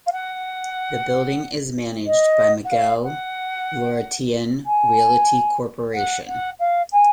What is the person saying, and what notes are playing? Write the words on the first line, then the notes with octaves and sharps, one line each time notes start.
The building is managed by Magil Laurentian Realty Corporation.
F5
F#5
D#5
F#5
F5
F#5
G#5
F#5
F#5
F5
G#5